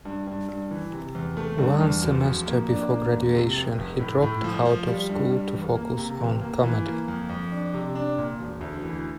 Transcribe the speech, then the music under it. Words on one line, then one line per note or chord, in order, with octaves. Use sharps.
One semester before graduation, he dropped out of school to focus on comedy.
G2
G2
G2
E3
C3
E2
A3
G2
E2
E1
F2
A#3
D4
A#3
E1
C3
F1
F1
A2
A2
F3
F3
G3
G2
G3
E2
A#3
C3
A1
A#3
E3
A#3
F2
F2
D4
C3
D4
A#2
E1
D2
E3